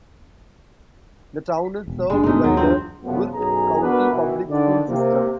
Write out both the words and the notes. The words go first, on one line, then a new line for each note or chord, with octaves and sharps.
The town is served by the Burke County Public Schools system.
E1
F#1 G#3 D4
G#2 B2 G#3 A3 D#4
D#2 F#3
G2 F3 C4
F#2 A2 C3 F3 G3 B3
B1 F#2 G#4 A#5
B3 D4 F#4 A#4 B4
B2 D#3 E3
D3 D#3 D5
C3 A#3